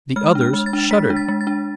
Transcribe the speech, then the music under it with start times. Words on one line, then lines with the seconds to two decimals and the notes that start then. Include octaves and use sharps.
The others shuddered.
0.16 G#3 F6
0.35 D4
0.41 F6
0.53 G#3
0.66 A6
0.73 D4
0.91 G#3 B6
1.10 D4
1.17 A6
1.28 G#3
1.41 A6
1.47 D4